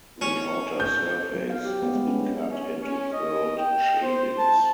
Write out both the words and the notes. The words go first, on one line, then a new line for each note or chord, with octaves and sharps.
The outer surface has been cut into curled shavings.
C#4
G6
F#3
F5
G4
B3
G#3
C#4
D4
C#4
C#4
D#5
G5
C5
A5